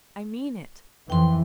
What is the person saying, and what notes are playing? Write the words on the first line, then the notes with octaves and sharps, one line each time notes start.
I mean it.'
F2 E3 G5 C6